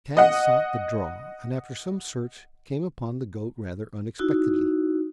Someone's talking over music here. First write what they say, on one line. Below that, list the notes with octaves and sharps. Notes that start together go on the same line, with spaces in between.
Tad sought the draw and after some search came upon the goat rather unexpectedly.
D#5 F#5
D#4 E4 F#4